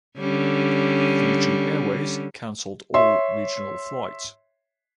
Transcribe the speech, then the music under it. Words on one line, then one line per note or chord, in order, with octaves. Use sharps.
Fiji Airways cancelled all regional flights.
D3 G3 C#4
C#5 E5 C6